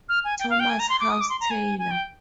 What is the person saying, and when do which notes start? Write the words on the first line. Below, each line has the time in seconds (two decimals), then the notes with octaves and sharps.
Thomas House Taylor.
0.09 F6
0.24 G#5
0.39 G5
0.50 F5
0.60 G5
0.70 G#5
0.79 A#5
0.89 C6
1.00 D6
1.10 D#6
1.21 D6
1.30 C6
1.40 A#5
1.51 G#5
1.79 G#5
1.91 G5